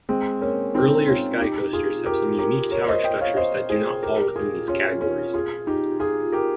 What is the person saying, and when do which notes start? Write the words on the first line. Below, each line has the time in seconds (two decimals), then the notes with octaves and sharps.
Earlier Skycoasters have some unique tower structures that do not fall within these categories.
0.09 G#3 C4
0.42 A#3 C#4
0.74 C4 D#4
1.07 C#4 F4
1.40 D#4 G4
1.73 F4 G#4
2.06 G4 A#4
2.39 G4 A#4
2.71 A#4 C#5
2.88 C5 D#5
3.04 D#5 G5
3.20 C#5 F5
3.37 C5 D#5
3.70 G#4 C5
4.03 G4 A#4
4.36 F4 G#4
4.68 C#4 F4
5.01 C#4 F4
5.34 F4 G#4
5.67 D#4 G4
5.99 F4 G#4
6.32 G4 A#4